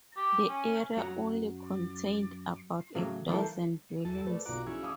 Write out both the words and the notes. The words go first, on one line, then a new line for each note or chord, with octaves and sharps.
The area only contained about a dozen dwellings.
G4
C#4
F#2 F#3 F#5 A#5
A2 C#3 E3 F#3
E3 F3 A3 E4 A4 A#4
E2 A4 A5
A3 B4 D5
B1 F4 F#4 D5 A#5
E3 C#4 E4 F#4 G#4
F5 D6 D#6